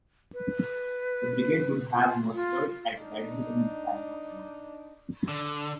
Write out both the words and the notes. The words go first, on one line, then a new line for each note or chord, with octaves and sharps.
The brigade would have mustered at Redhill in time of war.
B4
F4
F4
D4 D#4
D3